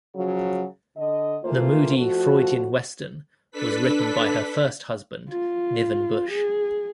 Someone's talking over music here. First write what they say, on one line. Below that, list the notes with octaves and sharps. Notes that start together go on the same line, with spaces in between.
The moody "Freudian western" was written by her first husband Niven Busch.
C#3 F3 F#3
D3 D#5
E3 A3 A#3 F4 C5
F2 F3 A3 F#4
D4 A4 B4 B6
F4
G#4